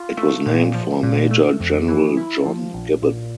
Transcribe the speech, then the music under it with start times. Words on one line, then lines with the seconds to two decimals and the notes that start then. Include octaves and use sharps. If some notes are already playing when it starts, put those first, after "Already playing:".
It was named for Major General John Gibbon.
Already playing: F4
0.17 A3
0.46 A#2
0.74 F3
1.03 A#2
1.31 A3
1.60 F2
1.88 E3
2.17 E4
2.46 F3
2.74 A#1
3.02 A#2